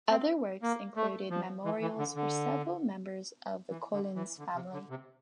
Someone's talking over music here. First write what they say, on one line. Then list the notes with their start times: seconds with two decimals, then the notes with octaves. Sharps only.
Other works included memorials for several members of the Collyns family.
0.10 C4
0.62 A#3
0.96 A3
1.30 F3
1.65 E3
1.82 E3
1.99 D3
2.16 D3
3.71 E3
3.93 D3
4.16 E3
4.39 D3
4.55 C3
4.73 D3
4.90 C3